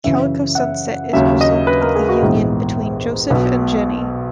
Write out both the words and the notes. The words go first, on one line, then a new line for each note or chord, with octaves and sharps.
Calico Sunset is a result of the union between Joseph and Jenny.
F#2 C#3 E3 E5
F#5
E5
D#2 C#3 F#3 E5
D#5
B4
A#4
G#4
F#4
A#1 G#2 E3 B3 G#4
B1 B2 F#3 B4